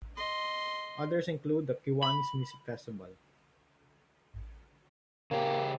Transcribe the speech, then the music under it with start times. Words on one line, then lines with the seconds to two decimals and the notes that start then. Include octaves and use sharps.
Others include the "Kiwanis Music Festival".
0.17 D#5 C6
2.03 B5
5.31 C#3 A#3 G4